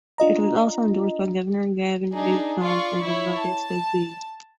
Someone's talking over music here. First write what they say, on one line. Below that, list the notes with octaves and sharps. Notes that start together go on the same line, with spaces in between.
It was also endorsed by governor Gavin Newsom and "The Modesto Bee".
D4 F4 D#5 A#5
D4 D#4 G#4
F4 D5 C#6
E4 C#5
A5